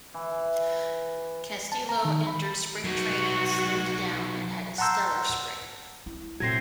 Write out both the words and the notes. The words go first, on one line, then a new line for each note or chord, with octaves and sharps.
Castillo entered spring training slimmed down and had a stellar spring.
E3
A5
A#5
D#3
B5
F#3 D#4 F#4
F#5 A5 A#5 C6 E6 G6
E4
A#2 F#3 A3 C4 G#6 A#6 C7